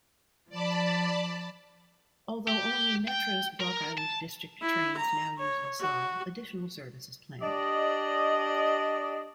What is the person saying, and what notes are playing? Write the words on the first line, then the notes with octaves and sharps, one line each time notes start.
Although only Metra's Rock Island District trains now use LaSalle, additional service is planned.
F3 D5 A5 B5
G4
G5
A#4
A5
E4
A#5
C#5
F#4
D4 G4 D5 D#5